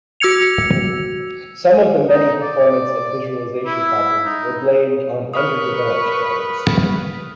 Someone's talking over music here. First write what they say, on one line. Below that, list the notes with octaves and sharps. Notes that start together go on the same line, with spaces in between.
Some of the many performance and visualization problems were blamed on underdeveloped drivers.
F#4 E6 G#6 C#7 F7
D#4
D5
E4
D#4
A#4 B4 C#6 D#6 F6